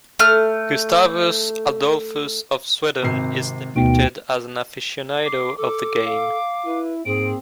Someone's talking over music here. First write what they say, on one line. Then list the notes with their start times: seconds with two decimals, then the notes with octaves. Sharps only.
Gustavus Adolphus of Sweden is depicted as an aficionado of the game.
0.19 A3 F6
3.02 G#1 C3 C7
3.76 D2 B2 D#3 G5
5.25 D6 C7
5.57 A4 D6
6.05 F5
6.65 E4 B4
7.05 G#2 A#3 C4 G#4 D7